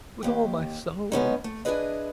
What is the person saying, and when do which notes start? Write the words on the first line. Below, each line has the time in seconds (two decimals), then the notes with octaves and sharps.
"With all my soul."
0.23 D#2 G4
1.12 G#3 B3 C#4 D#4
1.44 A3
1.65 D4 E4 F4 G#4 B4 D#5